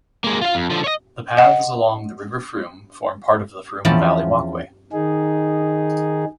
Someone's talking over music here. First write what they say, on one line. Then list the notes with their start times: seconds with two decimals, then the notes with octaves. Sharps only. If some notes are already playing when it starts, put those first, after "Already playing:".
The paths along the River Frome form part of the Frome Valley Walkway.
0.24 G#3 A#3
0.41 F4 F5
0.55 F2
0.70 D3 F3
0.84 C#5 D#5
1.37 D#5 F#5
3.85 E2 F3 C4 C#4 A5 B5
4.92 D#3 D#4 G#4